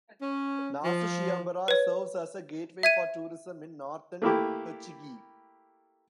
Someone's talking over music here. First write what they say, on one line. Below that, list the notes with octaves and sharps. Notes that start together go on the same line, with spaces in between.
Nasushiobara serves as a gateway for tourism in northern Tochigi.
C#4
F3
B4 C#5
E5 G#6 D#7
A3 A#3 E4 G4